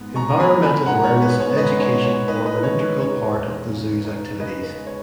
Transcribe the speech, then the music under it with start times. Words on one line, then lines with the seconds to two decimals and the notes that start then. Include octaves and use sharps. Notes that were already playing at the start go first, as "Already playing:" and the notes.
Environmental awareness and education form an integral part of the zoo's activities.
Already playing: G#2 B3
0.16 B3 A#5 C#6
0.30 A#5
0.40 G#5 B5
0.51 B3
0.63 G#5 B5
0.86 G#2 F#5 A#5
1.04 C#5
1.22 B3 B4
1.40 C#5
1.57 G#2 B4 D#5
1.81 C#5
1.93 B3
2.05 C#5
2.28 D#4 B4 D#5
2.45 B4 D#5
2.63 G#3 C#5
2.80 B4
2.98 D#4 C#5
3.33 E2
3.69 C#3
4.05 D#4
4.40 C#3 B4 D#5
4.63 B4
4.76 G#3
4.87 C#5